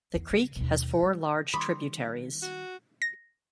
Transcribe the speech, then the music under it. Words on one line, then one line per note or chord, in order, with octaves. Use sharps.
The creek has four large tributaries.
E2
C#3
D#2 B2
G3
D#3 G3 B5 C6 D6 D#6
F#4
A#6